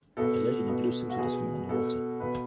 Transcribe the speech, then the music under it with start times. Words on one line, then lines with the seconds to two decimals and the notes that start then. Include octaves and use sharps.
A lady in a blue swimsuit is swimming underwater.
0.17 B2 A4
0.68 B2
1.10 F#4
1.18 B2 G#4
1.69 B2 A4
2.20 B2 B4